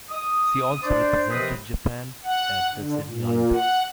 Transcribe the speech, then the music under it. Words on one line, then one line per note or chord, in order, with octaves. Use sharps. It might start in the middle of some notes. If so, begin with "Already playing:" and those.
She also represented Japan at the Sydney Olympics.
D#6
D4 C5 D5
D#2 C3 F3 C4 B4 D#6
F#5
D3
A#2
F#5